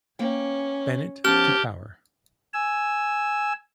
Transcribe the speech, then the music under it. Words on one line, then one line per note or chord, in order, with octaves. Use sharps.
Bennett to power.
A#3 B3 C#4 G5
F3 B3 C#4 G4 A5 F6
G#5 E6